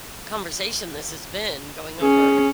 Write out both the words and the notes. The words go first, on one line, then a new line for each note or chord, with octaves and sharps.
conversation this has been, going over
C#4 G#4